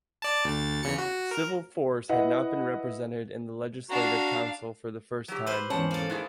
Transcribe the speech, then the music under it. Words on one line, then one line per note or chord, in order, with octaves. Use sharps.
Civil Force had not been represented in the Legislative Council for the first time.
D5 A5
D2 A6
E2 C#3 C#7
F#4
A#4
E4 B4 D#5 F#5
D4 F#4 F5 A#5
F#3 G4
B4 C5
E2 G#2 C3 C#4 F#5 A5
A#3 A4
G#3 E4 G#4